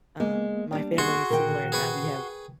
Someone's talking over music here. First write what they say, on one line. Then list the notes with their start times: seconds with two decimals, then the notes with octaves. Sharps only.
Um, my family is similar in that we have
0.20 G#3 A#3 B3
0.72 G3 D4
0.98 F#4 G#4 C6 C#6
1.30 A#2 D#3 A#4 G5
1.72 G#4 B4 C#6